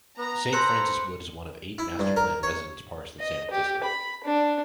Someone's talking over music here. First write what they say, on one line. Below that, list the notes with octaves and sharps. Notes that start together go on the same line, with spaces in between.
Saint Francis Wood is one of eight master-planned residence parks in San Francisco.
B3 A#5
A4 B4 C5 C6 C#7
E4
G2
A#4
C#5
D#5
G4
B5
D4